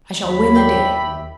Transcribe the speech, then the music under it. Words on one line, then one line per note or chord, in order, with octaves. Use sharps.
I shall win the day.
D#2 F#3 B5
D5 E5 G5